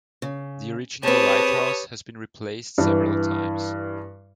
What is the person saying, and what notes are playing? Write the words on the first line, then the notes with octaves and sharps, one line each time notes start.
The original lighthouse has been replaced several times.
C#3
C4 G4 G#4 B4 C#5 A5 D#6
G2 E3